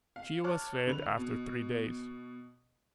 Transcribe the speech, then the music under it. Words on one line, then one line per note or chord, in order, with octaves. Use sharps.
She was fed after three days.
F5
C#5 A5 D6 F6 F#6
D3 B4 F7
B2